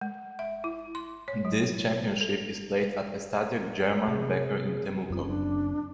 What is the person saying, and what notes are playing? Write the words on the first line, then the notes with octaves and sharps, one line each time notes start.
This championship is played at Estadio German Becker in Temuco.
G#3
E5
E4
C6
C#5
F#3
A4
C3 G#4
F#1 F#2 C4 F4
D4